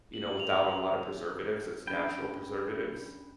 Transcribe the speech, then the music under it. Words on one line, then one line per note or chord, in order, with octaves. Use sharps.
you know, without a lotta preservatives. It's natural preservatives.
F#7
F7
C#4 D4 G5 B5